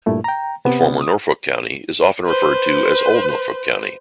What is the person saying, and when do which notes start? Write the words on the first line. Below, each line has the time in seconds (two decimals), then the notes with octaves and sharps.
The former Norfolk County is often referred to as Old Norfolk County.
0.06 G2 A#2 A3 E4
0.24 G5 A#5
0.65 C3 B3
1.02 D#6
2.26 B4 C5